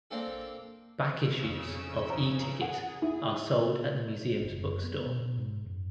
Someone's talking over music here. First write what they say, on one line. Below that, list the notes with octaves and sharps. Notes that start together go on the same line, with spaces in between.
Back issues of "E" Ticket are sold at the Museum's bookstore.
A#3 C4 D4 A4
F2 C#3 E6
A#5
G#4 F#5
E4
F#1
F#2
B3
B2
B2
G#2
F#2